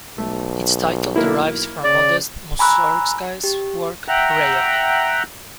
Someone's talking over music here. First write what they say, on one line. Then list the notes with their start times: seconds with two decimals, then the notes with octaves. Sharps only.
Its title derives from Modest Mussorgsky's work "Rayok".
0.18 B1 A3
1.16 A#3 E4
1.84 C#3 D5
2.59 G#5 A#5 B5 C#6 E6 F#6
3.44 G4
4.08 E5 F#5 G5 A#5 F#6